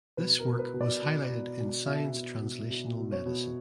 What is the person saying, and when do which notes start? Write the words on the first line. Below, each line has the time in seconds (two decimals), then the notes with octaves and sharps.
This work was highlighted in "Science Translational Medicine".
0.17 B2 B4
0.39 A#4
0.46 B2
0.59 B4
0.74 B2
0.81 D5
1.02 B2
1.29 B2
1.58 B2
1.86 B2 E5
2.14 B2
2.42 B2
2.70 B2
2.98 B2
3.12 C#5
3.26 B2